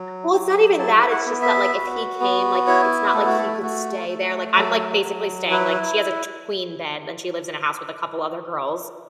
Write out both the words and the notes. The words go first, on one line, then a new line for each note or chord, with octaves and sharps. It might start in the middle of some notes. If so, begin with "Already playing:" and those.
Well, it's not even that, it's just that like, if he came, like, it's not like he could stay there, like, I'm, like, basically staying, like, she has a t queen bed and she lives in a house with a couple other girls,
Already playing: F#3
F#3
E4 A5
F#5
B3
E5
F#4
B3
E4 C#5
A3 A4
F#4
A4
A3 F#4
A3
F#3 A4
F#3
E4 B4